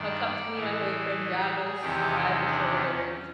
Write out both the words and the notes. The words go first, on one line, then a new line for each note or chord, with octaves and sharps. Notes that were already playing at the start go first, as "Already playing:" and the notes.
he'll come to me and my boyfriend, grab us by the shoulders,
Already playing: G2 D#3 D5
A2 E3 G#4
E2 C3 D#3 G4
D4
C#4